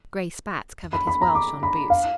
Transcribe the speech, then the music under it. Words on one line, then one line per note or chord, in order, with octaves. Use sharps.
Grey spats covered his well-shone boots.
B5
B5
A#5
D6
B5
F5